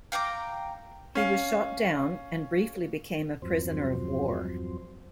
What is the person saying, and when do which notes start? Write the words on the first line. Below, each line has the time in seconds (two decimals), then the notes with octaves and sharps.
He was shot down and briefly became a prisoner of war.
0.12 F5 G5 A#5 D6
1.15 C#4 F5
3.42 E2 G2 F3 F#3 C4 C5